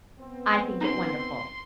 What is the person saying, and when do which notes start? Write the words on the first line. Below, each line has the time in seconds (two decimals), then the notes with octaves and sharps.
I think it wonderful.
0.19 B3 C4
0.81 C#4 D#4 C6